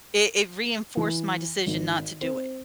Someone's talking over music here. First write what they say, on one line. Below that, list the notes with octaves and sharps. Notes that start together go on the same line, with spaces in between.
it it reinforced my decision not to do it.
E3
G#1
C4